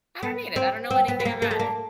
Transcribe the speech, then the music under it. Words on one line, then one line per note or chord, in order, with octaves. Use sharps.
I don't need it, I don't know anything about it.
B3
C4
C4
B3
B3
A#3
A#3
A3
A#3